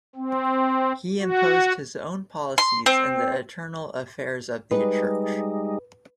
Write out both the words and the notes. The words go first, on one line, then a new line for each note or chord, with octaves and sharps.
He imposed his own policies in the internal affairs of the Church.
C4
F#4
C6
C4
G3 G#3 D#4 B4